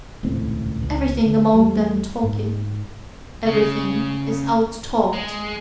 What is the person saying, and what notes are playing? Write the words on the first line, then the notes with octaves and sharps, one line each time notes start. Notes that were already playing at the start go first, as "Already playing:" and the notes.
Everything among them talketh, everything is out-talked.
D#1 C#2 A2 C4
C#2
D3
E2 G3 A3
G#2
C#3
G#3